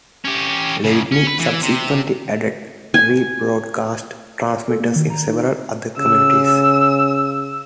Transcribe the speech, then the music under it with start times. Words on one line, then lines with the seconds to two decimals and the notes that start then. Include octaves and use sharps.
Lavigne subsequently added rebroadcast transmitters in several other communities.
0.25 C#4 G4
0.84 F#2 C#3
1.12 C#4
1.27 B4
1.40 E3
1.62 C3
2.94 G#5
4.68 A4
4.80 A#3
4.96 D#3
5.10 A#5
5.28 D#4
5.98 C#3 E6